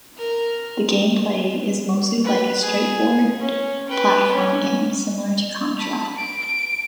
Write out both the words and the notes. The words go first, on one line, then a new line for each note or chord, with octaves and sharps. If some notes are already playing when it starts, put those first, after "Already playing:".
The gameplay is mostly like a straightforward platform game, similar to "Contra".
A#4
B4
G#4
C#4
B4 G5
C#4
A5 B5
D7